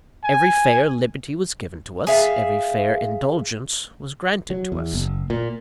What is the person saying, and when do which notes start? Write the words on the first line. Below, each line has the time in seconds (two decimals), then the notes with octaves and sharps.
Every fair liberty was given to us; every fair indulgence was granted to us.
0.24 G#5
2.07 G#4 E5 F5
4.50 F#3
4.72 E2
4.93 F#1
5.30 A#2